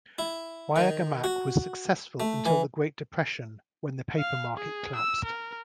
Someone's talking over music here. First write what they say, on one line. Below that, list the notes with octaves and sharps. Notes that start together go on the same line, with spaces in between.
Wayagamack was successful until the Great Depression when the paper market collapsed.
E4
D#3
F#4
A3
E3
F5
G#4
E6
A#4